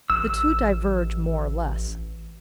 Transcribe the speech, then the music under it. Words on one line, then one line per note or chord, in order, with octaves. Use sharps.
The two diverge more or less.
A1 E6